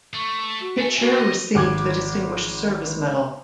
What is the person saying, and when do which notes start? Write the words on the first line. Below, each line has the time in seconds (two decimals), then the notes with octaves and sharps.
Pitcher received the Distinguished Service Medal.
0.13 A3 C#6
0.60 F#4
0.79 A3 G#5
0.99 C4 D4 F#4
1.18 D#5
1.55 G#1 D6 G#6